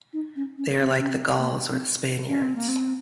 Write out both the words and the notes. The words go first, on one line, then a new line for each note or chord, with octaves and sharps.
They are like the Gauls or the Spaniards.
D#4
C#4
C#4
C4
C#4
C4
A#3
C4
C#4
C4
A#3
C4